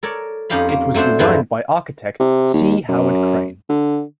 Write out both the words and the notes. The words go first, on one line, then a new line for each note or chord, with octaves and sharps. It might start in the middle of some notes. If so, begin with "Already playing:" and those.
It was designed by architect C. Howard Crane.
A4 A#4 C#5 D5
F2 C#4 D#4 G4 F5 B5
A#3
F#3 A3 C4 D4 C5
E2 G2 E3 F3 C4 B4
C3
D#2
F#2
D3